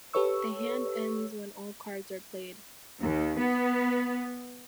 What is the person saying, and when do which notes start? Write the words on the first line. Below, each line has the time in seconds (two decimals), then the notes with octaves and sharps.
The hand ends when all cards are played.
0.13 G4 A4 B4 C#5 C#6 E6
3.00 D#2
3.38 B3